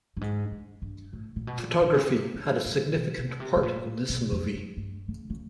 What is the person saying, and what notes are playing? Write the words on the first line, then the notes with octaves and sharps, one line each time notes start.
Photography had a significant part in this movie.
G2
G#2
G2
G2
A2
A#2
B2
A#2
A#2
C#3
C3
G2
F#2
B2
C3
B2
C3
A2
A#2
B2
F2
F#2
G2
C#3
C#3